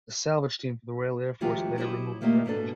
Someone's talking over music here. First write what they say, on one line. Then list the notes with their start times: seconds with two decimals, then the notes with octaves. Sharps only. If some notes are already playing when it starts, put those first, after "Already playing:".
A salvage team from the Royal Air Force later removed the wreckage.
1.41 D2 E3 F#3 G#3 F4 G4
1.77 F#3 E4 G4 C5 C#5 D#5
2.21 D#3 A3 A#3 G4 D#5
2.45 G#2 B2 B3 D4 A4